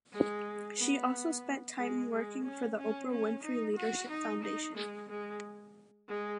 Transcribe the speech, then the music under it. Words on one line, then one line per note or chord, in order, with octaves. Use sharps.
She also spent time working for the Oprah Winfrey Leadership Foundation.
G#3
B3
G#3
G#3
C#4
C#4
C#4
D#4
F#4
D#4
D#4
G#3
G#3
G#3